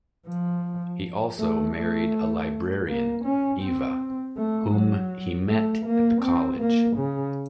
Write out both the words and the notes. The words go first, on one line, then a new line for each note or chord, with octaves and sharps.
He also married a librarian, Eva, whom he met at the college.
F3
A3
A3
A#3
C#4
C4
A3
F#3
A3
A#3
C4
A#3
C#3